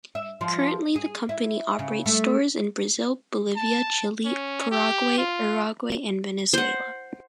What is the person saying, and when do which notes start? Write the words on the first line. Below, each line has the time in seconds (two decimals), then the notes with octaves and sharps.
Currently the company operates stores in Brazil, Bolivia, Chile, Paraguay, Uruguay and Venezuela.
0.15 E5
0.41 F3
0.96 G#4
1.29 E4
1.79 C#3
2.06 A3
3.56 A5
4.25 C#4
4.71 G4
5.18 F4
6.53 C5 F#5